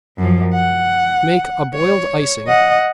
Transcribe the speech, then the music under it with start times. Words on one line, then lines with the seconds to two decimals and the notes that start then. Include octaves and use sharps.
Make a boiled icing.
0.18 F#2 F3
0.54 F#5
1.75 C#5
2.47 D#5 F#5